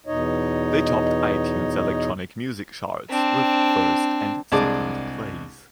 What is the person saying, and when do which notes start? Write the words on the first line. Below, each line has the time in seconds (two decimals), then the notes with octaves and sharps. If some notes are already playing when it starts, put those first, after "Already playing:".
They topped iTunes electronic music charts with first and second place.
0.07 E2 B2 D#4 C#5 D#5
3.10 C4 D4
4.52 C2 G#3 D4 G#4 A5 D6